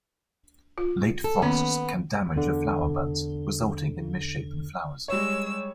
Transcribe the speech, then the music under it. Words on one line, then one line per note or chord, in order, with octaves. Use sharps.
Late frosts can damage the flower buds, resulting in misshapen flowers.
F4
A4
D#3 A#3 B3 C#4
E2 D3
G3 G#3 C#5 E6